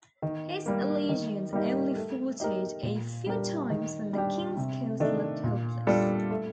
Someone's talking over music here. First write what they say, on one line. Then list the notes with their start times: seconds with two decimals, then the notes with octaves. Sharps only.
His allegiance only faltered a few times when the king's cause looked hopeless.
0.22 D#3
0.66 G3 A#3
1.09 D#3
1.53 G3 A#3 D#4 G4
1.96 A3
2.40 D#4 G4 A#4
2.83 A#2
3.26 G3 D4 G4 A#4
3.70 D#3
4.13 G3 D4 G4
4.57 C3
5.00 D#3 A3 D4
5.44 A#2
5.87 G3 D4 F4 A4
6.31 A3